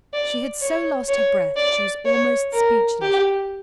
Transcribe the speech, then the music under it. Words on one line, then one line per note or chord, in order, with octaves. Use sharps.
She had so lost her breath that she was almost speechless.
D5
C#5
C#5
D5
C#5
A#4
G4